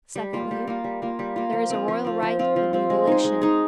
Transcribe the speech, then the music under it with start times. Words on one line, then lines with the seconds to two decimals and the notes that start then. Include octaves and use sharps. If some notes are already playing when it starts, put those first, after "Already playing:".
Secondly, there is a royal right of mutilation.
0.16 G3
0.33 A#3 F4
0.51 G3
0.67 A#3 F4
0.84 G3
1.02 A#3 F4
1.19 G3
1.36 A#3 F4
1.53 F3
1.70 C4 F4
1.88 F3
2.05 C4 F4
2.22 F3
2.39 C4 F4
2.56 F3
2.73 C4 F4
2.90 G#3
3.07 D#4 G#4
3.24 G#3
3.42 D#4 G#4